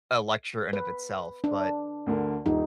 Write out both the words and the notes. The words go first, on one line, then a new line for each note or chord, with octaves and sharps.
a lecture in of itself, but
B4
D4
D2 D3 A#4
D#1 D#4